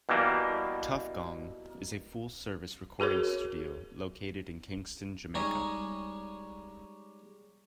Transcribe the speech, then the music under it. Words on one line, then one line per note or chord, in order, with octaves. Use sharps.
Tuff Gong is a full-service recording studio located in Kingston, Jamaica.
B2 E3 G3 A#3
F#4 G#4 A#4 C#5
G3 G#3 C#4 D#4 G4 G#4